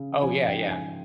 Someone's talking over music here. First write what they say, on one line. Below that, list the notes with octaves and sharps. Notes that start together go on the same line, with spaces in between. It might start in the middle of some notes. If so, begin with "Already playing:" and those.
Oh, yeah, yeah.
Already playing: C#3
F3 G#5
G5
G#2
G#5